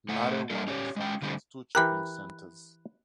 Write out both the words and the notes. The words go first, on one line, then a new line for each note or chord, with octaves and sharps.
Narre Warren South has two shopping centres.
A2 A3 F#5
G3 A#3 D4 A4
C#4 G4 C#5 D5
G#3 C#4 G5
D3 G3 A3 A#3 C4
E3 G4 A#4 B5 F#6